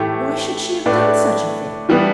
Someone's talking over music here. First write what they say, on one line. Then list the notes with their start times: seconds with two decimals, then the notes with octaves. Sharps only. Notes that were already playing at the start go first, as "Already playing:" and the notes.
Why should she have done such a thing?
Already playing: A2 E3 A3 E4 G4
0.86 A2 A3 D4 B4 D5
1.89 E3 G3 B3 D4